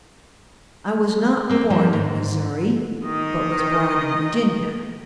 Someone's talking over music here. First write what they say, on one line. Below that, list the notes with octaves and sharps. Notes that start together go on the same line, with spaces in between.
I was not born in Missouri but was born in Virginia.
A#3 C4
D#3 F3 G3 A#3
G#2
D#3 D#5